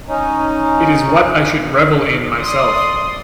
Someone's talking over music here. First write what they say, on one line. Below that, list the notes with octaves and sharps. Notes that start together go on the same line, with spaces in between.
It is what I should revel in myself.
C#4 D#4
D5 C6 D#6